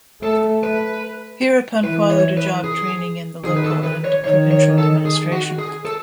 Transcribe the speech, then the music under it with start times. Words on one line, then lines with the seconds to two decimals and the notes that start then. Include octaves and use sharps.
Hereupon followed a job training in the local and provincial administration.
0.23 A3 A4
0.63 B4
1.84 E3 B4
2.10 C#5
2.37 B4
2.64 G#4
3.44 D#3 G#4
3.57 B4
3.64 A4
3.84 B4
4.04 C#5
4.24 D#3 C#5
4.51 C#5
4.78 A4
5.06 G#4
5.32 F#4
5.59 G#4
5.85 A4